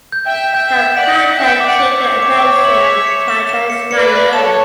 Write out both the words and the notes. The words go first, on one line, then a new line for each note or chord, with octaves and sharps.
How Planta came to the attention of Trajan is not known.
G6
E5 G5
G6
E5 G5 G6
G6
D5 F#5 B6
B6
E5 G5 G6
D6
D5 F#5
G6
C#5 E5
D6
D6
D6
F#7
B6
C#7
E7
E7
C#7
B4 D5 C#7
F#6
A4 C#5 E7